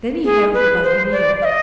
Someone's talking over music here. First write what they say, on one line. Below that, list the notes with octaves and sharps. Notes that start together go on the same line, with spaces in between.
Then he hailed the buccaneer.
G#4
B4
C5
D5
F5
D#5